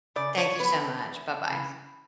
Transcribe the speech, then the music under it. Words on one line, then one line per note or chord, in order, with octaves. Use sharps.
Thank you so much. Bye bye.
C#3 D5
C#5
F#3 B3 B4
E2
C#3 E3